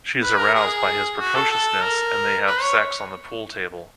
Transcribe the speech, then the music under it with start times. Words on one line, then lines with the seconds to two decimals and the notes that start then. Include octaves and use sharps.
She is aroused by his precociousness, and they have sex on the pool table.
0.23 B4
0.39 A#4
0.55 G#4
1.18 F#4
1.35 A4
1.51 A4
1.82 A#4
2.46 B4
2.62 C#5